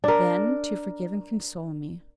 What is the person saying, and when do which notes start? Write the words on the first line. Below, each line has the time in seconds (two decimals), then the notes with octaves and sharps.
"Then to forgive and console me."
0.04 D4 A#4